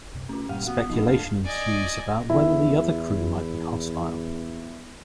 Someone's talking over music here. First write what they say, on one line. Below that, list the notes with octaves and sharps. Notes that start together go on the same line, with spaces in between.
Speculation ensues about whether the other crew might be hostile.
C#2 F#2 C3
A3 C#4 F4
G2 A#2 G3 A#3 F5 F#5
E1 B1 B3 F#4
F3 D4 D#4 D#5
F2 A3 A4 F5
D5 D#5 G#5
E2 E4